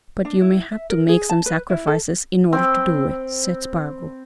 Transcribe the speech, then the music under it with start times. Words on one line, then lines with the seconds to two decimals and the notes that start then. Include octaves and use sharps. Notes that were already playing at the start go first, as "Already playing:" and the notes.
"But you may have to make some sacrifices in order to do it," said Spargo.
0.25 D4
0.41 E4
0.72 E5
0.90 A#4
1.09 G#4
1.30 A5
1.46 B4
1.70 E4
1.87 A4
2.53 C4 G5 B5